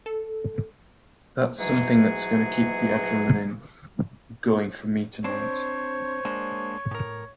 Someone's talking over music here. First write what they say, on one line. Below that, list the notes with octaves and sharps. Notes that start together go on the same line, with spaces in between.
That's something that's going to keep the adrenaline going for me tonight.
A4
G#2 B2 E3 F#3 F#4 G#4
C4 D4 C5 C#5
G#3 A#3 D4
A2 A#4